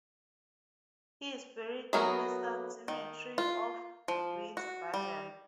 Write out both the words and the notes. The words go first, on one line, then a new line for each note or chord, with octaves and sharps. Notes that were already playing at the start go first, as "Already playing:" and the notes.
He is buried in the South Cemetery of Wiesbaden.
F#3 A3 B3 G#4 A#4
D#3
F4
F3
F#4
G3